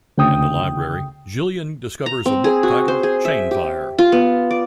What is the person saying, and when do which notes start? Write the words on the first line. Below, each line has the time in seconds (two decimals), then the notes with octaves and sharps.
In the library, Jillian discovers a book titled Chainfire.
0.18 D2 C#3 G5 D#6
2.06 A#5
2.26 C4
2.44 G#4
2.63 F#4
2.88 C5
3.03 G#4
3.25 E5
3.51 G4
3.99 F4
4.12 B3
4.51 D5